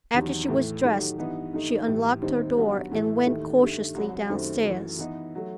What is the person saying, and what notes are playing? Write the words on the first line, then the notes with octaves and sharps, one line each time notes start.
After she was dressed she unlocked her door and went cautiously downstairs.
E2 C3 D#3 F#3
A2 E3 A3
D#3 F#3 A3 D#4 G4
G2 E3 B3 D#4
G2 D#3 A3 D#4
A2 E3 G3
D#2 D#3 G3 C4 D#4
G2 F#3 B3 F#4
A2 E3 A3 E4
D#2 D#3 A3
G2 D#3 A3
C2 C3 F#3
F#2 D#3 A3 C4
F#2 E3 A3
E3 B3 D#4
F#3 A3